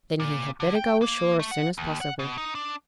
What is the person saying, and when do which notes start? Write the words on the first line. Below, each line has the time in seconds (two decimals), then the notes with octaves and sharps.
Then he had better go ashore as soon as possible.
0.20 A#2
0.60 D3
0.75 G5
1.02 A#3
1.40 A3
1.51 F#5
1.78 D#2
2.01 F#5
2.19 B2
2.38 D#4
2.55 D4